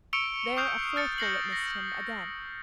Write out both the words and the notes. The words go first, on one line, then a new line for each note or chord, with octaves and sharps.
There a fourth bullet missed him, again.
C#6 E6 C#7 D7 F7 G7
C#6 D#6 F6 G6 C7 F7
F6 A6 C#7
G6 A#6 C7 F#7
A#6